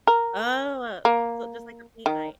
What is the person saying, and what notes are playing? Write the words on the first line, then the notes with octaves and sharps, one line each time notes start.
Oh. So just, like, a paint night.
A#4
A#3
D#3